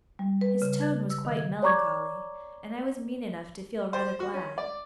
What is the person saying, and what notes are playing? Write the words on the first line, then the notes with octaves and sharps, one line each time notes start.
His tone was quite melancholy, and I was mean enough to feel rather glad.
G3
B4
C#3
G#6
E6
D#3
G#6
C#5 D5 A#5 C#6 D6 G#6
C5
F#4
C#4
D5